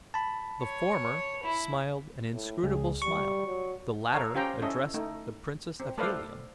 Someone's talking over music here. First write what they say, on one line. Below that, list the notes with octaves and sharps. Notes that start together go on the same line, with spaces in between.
The former smiled an inscrutable smile, the latter addressed the Princess of Helium.
A5 B5
C#5
E4
A2
C#2 G#4
G3 C#6
F#3
A4 A#4 C#5 F5
C#4 F4 G4 C5 G5 A#5
C#4 E4 A4 D#5
A3 D#4
C4
A3 A4 B4 C5 D5 F5